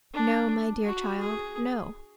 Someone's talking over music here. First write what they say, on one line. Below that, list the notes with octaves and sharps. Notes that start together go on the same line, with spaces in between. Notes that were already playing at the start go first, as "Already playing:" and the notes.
No, my dear child; no.
D4
F#4
G#4